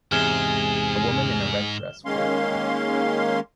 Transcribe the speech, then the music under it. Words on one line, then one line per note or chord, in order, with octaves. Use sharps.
A woman in a red dress walking.
E2 G#2 C3 G#4 F6 G#6 E7 G7
D#3 G#3 A#3 C#4 F5 C6